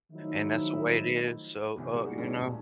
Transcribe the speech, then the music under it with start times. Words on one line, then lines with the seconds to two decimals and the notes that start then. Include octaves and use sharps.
And that's the way it is, so, uh, you know
0.11 D#3 F3 F#3 A3 D#4 E4
1.76 G1 C2 E3
1.92 G3 G#3 D#4 F#4
2.18 A2 D3 G3 G#3 C#4
2.36 D#1